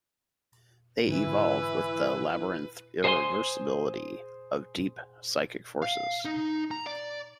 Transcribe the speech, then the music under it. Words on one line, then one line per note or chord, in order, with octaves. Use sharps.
They evolve...with the labyrinthine irreversibility of deep psychic forces.
G#2 D3 E3 C4 E4 B4
G#4 C5 D#5 F5 G#5 C6
F5
D#4
A#5
D5